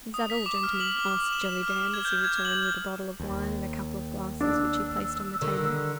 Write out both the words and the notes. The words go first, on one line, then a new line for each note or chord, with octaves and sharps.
"Is that all, gentlemen?" asked Jellyband, as he returned with a bottle of wine and a couple of glasses, which he placed on the table.
D#6
B6
D6
F6
F#7
E7
F6
G#6
G6
G#6
F#7
D#2
D4 E6
D3 D#3 G3